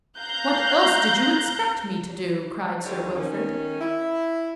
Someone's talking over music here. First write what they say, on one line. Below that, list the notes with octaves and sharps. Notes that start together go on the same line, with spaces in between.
"What else did you expect me to do?" cried Sir Wilfrid.
F5 A#5 F#6 G6
D#2 D3 G3 D#4 C5 C#5
D#3 C#4
E4